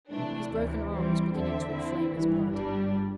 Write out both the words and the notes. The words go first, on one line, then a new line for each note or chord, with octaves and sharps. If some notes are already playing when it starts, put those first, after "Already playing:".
His broken arm was beginning to inflame his blood.
C3 E3 A3 D4
D2 C3 E3
E3 G3 C4
E2 D3 C4 A4 E5
D3 C4 E4
G1 G2 E3
G1 G2 G3 D4